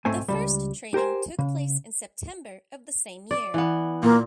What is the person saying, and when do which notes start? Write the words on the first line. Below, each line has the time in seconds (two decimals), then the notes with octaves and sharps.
The first trading took place in September of the same year.
0.05 B1 G#2 A3 C4 G#5
0.28 C#2 F#2 G3
0.94 G4 A#4 C5 G#5
1.39 C#3
3.31 D5
3.54 E3 B3
4.03 A#2 A#3